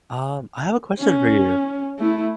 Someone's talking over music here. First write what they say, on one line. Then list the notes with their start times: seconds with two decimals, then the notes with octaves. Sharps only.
Um, I have a question for you.
0.99 C#4
1.99 A3 E4